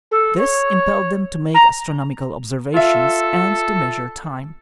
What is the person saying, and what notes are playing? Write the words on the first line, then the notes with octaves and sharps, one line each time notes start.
This impelled them to make astronomical observations and to measure time.
A4
C#5
A#5
F4 A4 E5